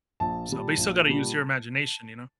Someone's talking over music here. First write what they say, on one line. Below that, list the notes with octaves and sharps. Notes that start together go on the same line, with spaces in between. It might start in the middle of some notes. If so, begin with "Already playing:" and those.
So but you still gotta use your imagination, you know?
A#1 A5
A#2 G3
A#1
A#2 G3